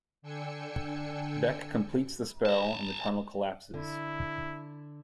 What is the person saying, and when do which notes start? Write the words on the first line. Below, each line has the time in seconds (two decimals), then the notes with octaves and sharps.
Bec completes the spell, and the tunnel collapses.
0.22 D3 D4 G5 G#5 E6 C#7
2.46 A5 A#5
3.74 D3 E4